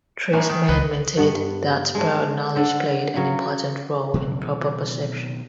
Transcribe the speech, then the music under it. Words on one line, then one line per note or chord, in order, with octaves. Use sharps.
Treisman maintained that prior-knowledge played an important role in proper perception.
A#1 A2 G#5
D#3
C#2 B4 D#5
G2 B3 B4 D#5
G#3 D4
D3 C5
C#3 F#3 B4
B2 D#3 F#3 C4